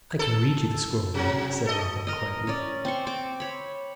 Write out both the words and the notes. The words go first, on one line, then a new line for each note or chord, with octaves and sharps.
"I can read you the scroll, Will," said Robin, quietly.
A4
C3 F#3
A4 D#5
A#4 D#5
C#4 D5
C4 C6 C#6
C4 D6
C#5 B5